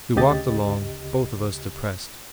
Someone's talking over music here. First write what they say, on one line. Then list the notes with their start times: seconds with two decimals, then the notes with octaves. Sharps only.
We walked along, both of us depressed.
0.16 D2 C#3 G4 D#5 A6